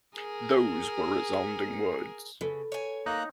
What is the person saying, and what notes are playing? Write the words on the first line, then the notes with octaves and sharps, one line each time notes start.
Those were resounding words.
G#4 A#4
C#3 A4 B4
C#5 G#5
A#3 D#4 A#5 F#6